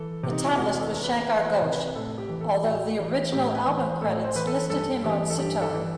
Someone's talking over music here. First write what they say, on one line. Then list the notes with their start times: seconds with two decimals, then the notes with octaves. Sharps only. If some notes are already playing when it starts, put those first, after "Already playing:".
The tablist was Shankar Ghosh, although the original album credits listed him on sitar.
Already playing: E3 A4
0.23 C3
0.31 D#4
0.44 E4
0.58 E2 F#4
0.81 A4
0.92 E2
1.03 B4
1.26 E3 B4
1.49 C5
1.61 C3
1.72 B4
1.95 A2 A4
2.18 G4
2.29 E3
2.41 A4
2.64 A2 F#4
2.98 E3
3.32 A2 G4
3.55 B4
3.67 E3
3.78 C5
4.01 A2 A4
4.24 C5
4.35 E3 B4
4.47 A4
4.70 G2 A4
5.04 E3 G4
5.30 A4
5.39 G2 G4
5.61 A4
5.73 E3